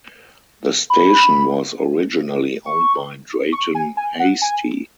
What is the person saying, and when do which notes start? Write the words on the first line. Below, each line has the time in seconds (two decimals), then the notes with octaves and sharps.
The station was originally owned by Drayton Hastie.
0.90 B5
2.66 C#6
3.53 C#6
3.75 G#5
3.97 G#5
4.20 F#5
4.42 G#5